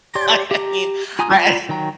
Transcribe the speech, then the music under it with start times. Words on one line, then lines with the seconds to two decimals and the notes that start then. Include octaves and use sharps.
I mean, I
0.15 G4 C#5 D5 C6
0.51 G4 A#5
1.19 F4 G#5 A#5 D#6
1.31 F4 D5 A#5 B5
1.69 D#3 F#3 G5 A#5